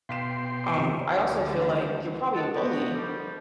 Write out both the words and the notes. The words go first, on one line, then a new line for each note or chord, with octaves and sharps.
Um, I also feel like you're probably a bully.
B2 F5 G5 C6 B6 E7
C3 F3 A#3 E5 F5
D2 D3 G3
A4 D#5 F#5 A5
E3 F3 B3 F#4 G4 D#5
D3 D#3 F3 G3